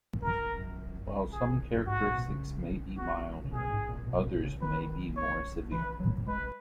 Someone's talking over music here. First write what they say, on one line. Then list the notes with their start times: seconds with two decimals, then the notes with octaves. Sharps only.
While some characteristics may be milder, others may be more severe.
0.21 F#2 A#4
0.58 F#2
1.32 G#4
1.75 F#2
1.87 G#2 F#4
2.01 A#2
2.14 B2
2.28 C#3
2.97 F#4
3.44 C#3
3.52 B2 G#4
3.70 G#2
3.89 A#2
4.07 B2
4.26 A#2
4.39 B2
4.44 C#3
4.61 D#3 B4
5.17 C#5
5.72 E3 B4
6.00 F#3
6.27 G#3 B4